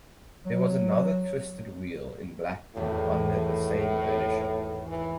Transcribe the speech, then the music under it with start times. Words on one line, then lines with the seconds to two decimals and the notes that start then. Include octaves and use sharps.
There was another Twisted Wheel in Blackpool under the same ownership.
0.46 F#3
2.76 G#1 E2 A2
4.87 E3